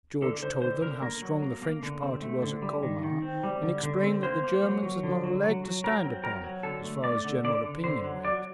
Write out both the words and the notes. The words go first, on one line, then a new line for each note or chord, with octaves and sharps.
George told them how strong the French party was at Colmar, and explained that the Germans had not a leg to stand upon as far as general opinion went.
D3 A4
D3 C5
D3 C5
D3 A#4
A#3 A#4
F#3
A#3
A#3
D3
C4
A3
D3
G3
D#3
D#3
C4
G3
D3
D3
C4
A#3 C5
A#3
F#3
F#3
D3
F#3
F#3
F#3
F#3 A#4
C4
F#3 A#4
F#3
D3 A4
A3
A3 D5
D3
D3 D5
D3
D3 C5
F#3
F#3 D5